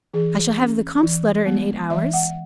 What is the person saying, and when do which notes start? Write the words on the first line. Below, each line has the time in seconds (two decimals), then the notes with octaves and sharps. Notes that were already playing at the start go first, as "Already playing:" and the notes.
"I shall have the comte's letter in eight hours?"
0.14 E3 G#4
0.59 C#4
1.03 E3
1.46 G#3 B3
1.90 E3 E5
2.13 F#5